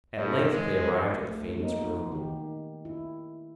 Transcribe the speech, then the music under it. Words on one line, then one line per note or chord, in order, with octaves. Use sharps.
At length they arrived at the famous room.
G2
G#3
A3
A#3 B3 D#4
D#3 G4
E4